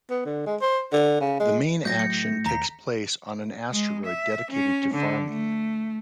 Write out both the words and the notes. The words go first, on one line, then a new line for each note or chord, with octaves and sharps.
The main action takes place on an asteroid dedicated to farming.
B3
D3
G#3
C5
D3
C#3
G#3
A2 F#3 G6 A#6
C#7
A3
D#2 A#5 B6
G#3
E5
C#4
D3
A3